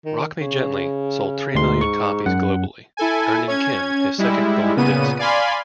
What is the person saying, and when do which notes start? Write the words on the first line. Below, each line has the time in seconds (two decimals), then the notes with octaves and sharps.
"Rock Me Gently" sold three million copies globally, earning Kim his second gold disc.
0.05 D#3
0.41 C#3
1.55 D2 G#2 C6
1.81 C#6
2.26 F#2 F#5
2.97 E4 A4 G#5
3.48 C#4 G#6
4.18 G3 G#3 E4
4.76 A#2 C#3 B3 D#7
5.19 D5 F5 G#5 B5 C6